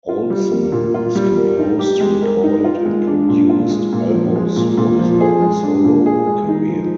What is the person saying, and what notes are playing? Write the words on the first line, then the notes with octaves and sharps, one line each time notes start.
Olsson has composed, recorded, and produced albums for his own solo career.
F4
G3
A#3
A#2
F4
G3
A#4
D#4
G4
G#3
A#4
D#4
F4
G#3
D4
A#2
F4
G#3
A#2
F3
G#3
A#2
A#2
F3
G#4
G#3
D4
A#2
G#4
G#3
D#4
F3